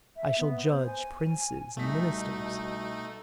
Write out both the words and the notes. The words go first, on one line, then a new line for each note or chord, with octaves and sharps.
I shall judge princes and ministers.
E5
B3
C5
G#5
C2 B2 A3 D#4 B6